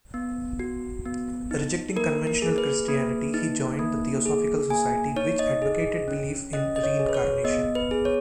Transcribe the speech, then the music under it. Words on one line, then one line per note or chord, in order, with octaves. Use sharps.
Rejecting conventional Christianity, he joined the Theosophical Society which advocated belief in reincarnation.
B3
F#4
B3
D#4
A#3 A#4
A#4
G#4
B4
A#3
D#4
A#3
G#4
A#3 G#5
D#4 C#5
D#5
G#4
C#4
C#4 D#5
D#5
C#5
G#4
B4
C#5
B3 D#5
B4
G#4
C#5